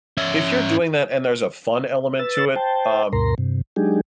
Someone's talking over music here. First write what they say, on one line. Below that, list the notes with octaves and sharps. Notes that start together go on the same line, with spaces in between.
if you're doing that and there's a fun element to it, um,
C#4 E5
B4 E6 A6
C5 G5 A5
D2 G2 B2 A#4 A#5 C6
G2 C3
F#3 G#3 D4 D#4 G4 G#4